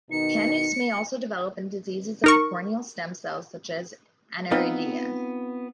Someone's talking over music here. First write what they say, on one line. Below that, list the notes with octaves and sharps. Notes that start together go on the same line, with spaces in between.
Pannus may also develop in diseases of the corneal stem cells, such as aniridia.
B2 D#3 D#4 C#7
D#4 A#4 C#6
B3 C4 D#4 F4 B4